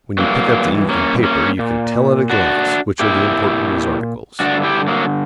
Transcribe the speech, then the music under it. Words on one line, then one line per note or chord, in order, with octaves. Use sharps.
When you pick up the evening paper you can tell at a glance which are the important news articles.
G2 E3 F#3 A#3
A#3 C#4
A#3 C#4
A#2
D4 F#4
A#2 E4 G4
G2 D3 D4 F#4
E4 G4
F#3 A#3